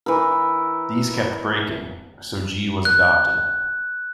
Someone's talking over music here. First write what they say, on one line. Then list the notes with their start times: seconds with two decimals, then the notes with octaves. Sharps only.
These kept breaking, so G was adopted.
0.06 E3 A#4
2.85 F#6